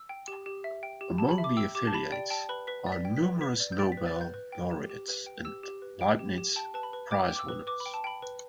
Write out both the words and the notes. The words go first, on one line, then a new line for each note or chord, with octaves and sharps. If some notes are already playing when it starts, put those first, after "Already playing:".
Among the affiliates are numerous Nobel laureates and Leibniz Prize winners.
Already playing: E6
G5
G4
G4
E5
G5
G4
G4 A5
B5
E5
D6
G5 E6
G4 D6
A5
G4 B5
D5 G5
G5 A5
B4 B5
B4 B6
D5
B6
G5
B6
B4
B4 B6
D5
G6
G5 A6
B6
B4
A6
B4
G6
B4
G5
G4
G4
B4
G5
G4 E6
G4
B4
G5
G4
G4
G5 A5
B4 A5
B5
B4
G5 D6
G5
D6
E6
B4
B4 D6
B5
G5
A5
G5 B5
B4